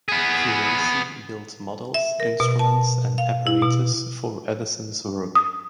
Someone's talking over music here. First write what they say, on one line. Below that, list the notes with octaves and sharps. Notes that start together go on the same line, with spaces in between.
Kruesi built models, instruments, and apparatus for Edison's work.
B3 G#4
E5
A#4
B2
A5
F5
E4
B2
D#6